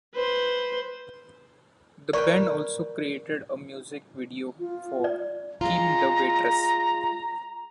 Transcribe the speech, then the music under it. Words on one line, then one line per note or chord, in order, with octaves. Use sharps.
The band also created a music video for "Kim The Waitress".
B4 C5
A#4 B4 D5 G5 C#6
F4
D5
G#3 F4 A#5